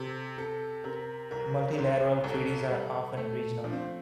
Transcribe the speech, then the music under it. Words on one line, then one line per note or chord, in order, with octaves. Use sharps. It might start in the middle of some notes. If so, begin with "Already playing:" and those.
Multilateral treaties are often regional.
Already playing: C3 A4
C3 A4
C3 A#4
C2 A#4
C2 C5
C2 A4
G3
A3 A4
F3 D4
C4